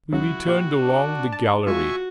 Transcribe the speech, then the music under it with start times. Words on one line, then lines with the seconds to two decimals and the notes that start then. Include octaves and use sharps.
We returned along the gallery.
0.13 C#2 C#3 F#3 E4 F#4
0.47 A#2 G4
0.79 D4
1.32 A5
1.67 G#3 F4 F#4 E5 G#5 C#6